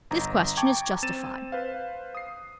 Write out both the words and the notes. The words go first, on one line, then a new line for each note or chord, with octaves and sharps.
This question is justified.
G1 A#5
G5 A5 A#5 C#6 D6 G#6
C4 A6 D#7 E7
B4 C5 F5
D#6 C7